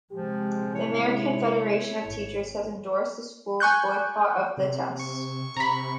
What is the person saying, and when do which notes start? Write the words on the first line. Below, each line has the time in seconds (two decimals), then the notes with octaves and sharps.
The American Federation of Teachers has endorsed the school's boycott of the tests.
0.11 C3 F3 G#3 G4
0.75 E4 C#5
2.04 G#1
3.60 G#5 C#6 F#6 G6
4.57 C3
4.99 C#6
5.57 C3 A#5 B5